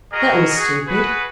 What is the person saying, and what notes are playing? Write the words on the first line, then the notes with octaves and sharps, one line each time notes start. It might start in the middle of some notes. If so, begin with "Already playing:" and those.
'That was stupid.
F#4 G#4 A#4 D#5
F#4 G#4
F#4 G#4 B4